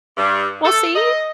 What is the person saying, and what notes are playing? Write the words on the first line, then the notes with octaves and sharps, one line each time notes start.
Well, see?
G2
A4
D#5